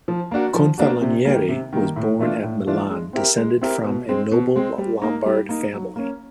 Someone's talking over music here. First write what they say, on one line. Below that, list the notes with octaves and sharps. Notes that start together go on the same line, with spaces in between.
Confalonieri was born at Milan, descended from a noble Lombard family.
F3
A#3 D4 F#4
F3
A#3 D4 F#4
C3
D#3 G3 A#3
C3
D#3 G3 A#3
A2
E3 A3 D4 F4
A2
E3 A3 D4 F4
G#3
C4 E4 G4 A#4
G#3
C4 E4 G4 A#4
B2
G#3 C4
B2
G#3 C4
G3
A#3 D#4
G3
A#3 D#4
F#3
A#3 C#4